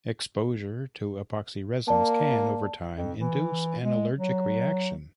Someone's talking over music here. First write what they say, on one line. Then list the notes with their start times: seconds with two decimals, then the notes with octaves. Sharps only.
Exposure to epoxy resins can, over time, induce an allergic reaction.
1.88 A#3 D5 A5
2.95 F2
3.19 E3
3.82 G#3
4.17 F#3